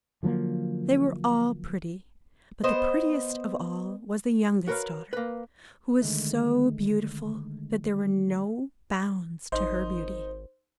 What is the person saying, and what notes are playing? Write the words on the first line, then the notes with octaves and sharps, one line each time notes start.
They were all pretty, but the prettiest of all was the youngest daughter, who was so beautiful that there were no bounds to her beauty.
D3 F3 F#3 A#3
B3 C5 D#5
F#4 A#4 B4 C#5 F5
A#3 B4
D3 D#3 G#3 A3
G#1 D#4 C5